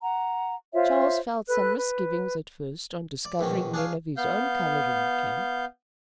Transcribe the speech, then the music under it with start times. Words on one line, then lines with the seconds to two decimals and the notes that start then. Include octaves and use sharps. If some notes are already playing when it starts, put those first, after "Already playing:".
Charles felt some misgivings at first on discovering men of his own color in the camp.
0.01 F#5 A#5
0.73 F4 C5 C#5 E5
1.48 A4 B4 F#6
1.77 B4
3.25 D5
3.39 A#1 B2 D#3 C#4
3.74 D4 G#4 C#5 F5
4.17 B3 F5 G6